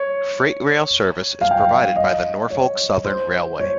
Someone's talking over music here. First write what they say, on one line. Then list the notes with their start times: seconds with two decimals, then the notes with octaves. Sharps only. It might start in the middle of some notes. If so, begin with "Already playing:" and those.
Freight rail service is provided by the Norfolk Southern Railway.
Already playing: C#5
1.41 F5
1.51 G5
1.60 F5
1.96 D#5
2.50 C#5
3.05 C5
3.60 C#5